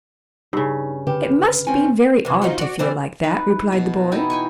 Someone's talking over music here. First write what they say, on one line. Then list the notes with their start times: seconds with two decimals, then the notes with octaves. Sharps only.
'It must be very odd to feel like that,' replied the boy.
0.53 G2 C#3 D#4
1.07 D3 G4 B4
1.67 C4 C#4 G#5
2.25 C3 E3
2.42 F3 D#4 F#4
2.58 F#4 D5
2.79 E3 G3 C4
3.23 D#4 E4 B4
3.72 B2
4.12 E3 D#4 E4 G5
4.30 G5 G#5 C#6